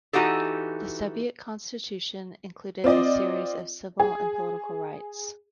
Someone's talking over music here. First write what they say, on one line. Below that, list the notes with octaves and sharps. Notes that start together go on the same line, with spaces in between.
The Soviet Constitution included a series of civil and political rights.
E3 C4 D#4 F#4 G4 A4
C4 F4 D5 D#5
G#4